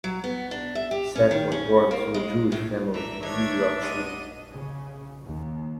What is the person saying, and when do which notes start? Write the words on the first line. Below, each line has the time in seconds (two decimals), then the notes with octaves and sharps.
Sack was born to a Jewish family in New York City.
0.04 F#3
0.24 B3
0.51 D4
0.75 E5
0.91 G4
1.15 C#4
1.31 D#3
1.52 C#4
1.91 A#3
2.14 G#3
2.52 A2
2.94 E3 D4 E5 A#5
3.23 D#3 E3 D4 C#5 E5 G#6
3.82 G#2 G3 D#5 D#7
4.51 C#3
5.22 D#2